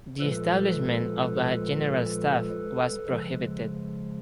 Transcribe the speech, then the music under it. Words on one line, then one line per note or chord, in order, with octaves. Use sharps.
The establishment of a general staff was prohibited.
A#2 F3 G#3 A4 B4
C#3 F3 G#3